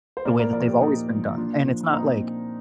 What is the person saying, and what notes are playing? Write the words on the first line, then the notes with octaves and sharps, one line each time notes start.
the way that they've always been done?" And it's not like,
C5
A#2 A#4 D5
A#4 D5
F3 A#4 D5
G4 A#4
A#2 D#4 G4
F3
A#2 D4 F4
F3
A#2 C4 D#4